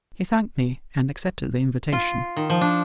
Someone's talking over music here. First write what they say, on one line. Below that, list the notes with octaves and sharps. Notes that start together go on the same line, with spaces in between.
He thanked me, and accepted the invitation.
F4
D#3
F3
D4